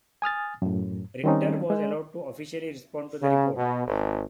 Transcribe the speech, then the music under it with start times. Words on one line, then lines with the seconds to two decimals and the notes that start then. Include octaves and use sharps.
Richter was allowed to officially respond to the report.
0.22 G#5 D#6 F6 A6
0.62 F#2 A2
1.24 D#3 G3 C4 C#4 D#4
1.70 G#3
3.22 C#3
3.55 B2
3.86 G#1